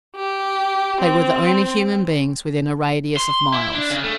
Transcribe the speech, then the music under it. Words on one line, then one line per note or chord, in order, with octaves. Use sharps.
They were the only human beings within a radius of miles.
G4
C4
C6
E4
D4
C#3
A3